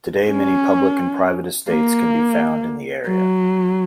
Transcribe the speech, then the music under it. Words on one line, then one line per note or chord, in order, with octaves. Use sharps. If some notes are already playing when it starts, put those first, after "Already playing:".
Today many public and private estates can be found in the area.
C#4
A#3
F#3